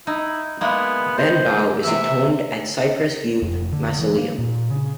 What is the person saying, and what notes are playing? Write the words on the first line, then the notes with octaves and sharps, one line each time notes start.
Benbough is entombed at Cypress View Mausoleum.
D#4 E4
G#3 A#3 B3 E4
C5
C3 E3 E5
F1
D3
E3
A#3
A#2
C#3